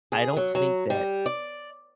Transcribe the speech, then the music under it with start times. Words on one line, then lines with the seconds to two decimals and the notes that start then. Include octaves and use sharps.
I don't think that
0.12 G#4
0.37 F#3
0.55 F#3
0.90 G3
1.26 D5